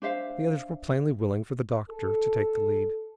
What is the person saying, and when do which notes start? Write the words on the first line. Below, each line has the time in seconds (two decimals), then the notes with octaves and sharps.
The others were plainly willing for the doctor to take the lead.
0.02 D4 C5 E5 F5
1.88 A4